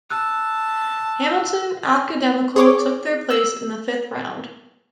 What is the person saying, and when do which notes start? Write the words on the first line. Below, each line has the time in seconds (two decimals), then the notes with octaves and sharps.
Hamilton Academical took their place in the fifth round.
0.10 A5 E6 F#6
2.56 G#4 C#5 D6
3.30 E6